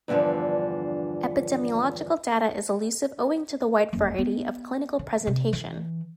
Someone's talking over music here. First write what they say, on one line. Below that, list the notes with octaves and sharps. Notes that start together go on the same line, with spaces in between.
Epidemiological data is elusive owing to the wide variety of clinical presentation.
E2 G2 A#2 D3 F3
F#1 F2
B3
D3
C3
E3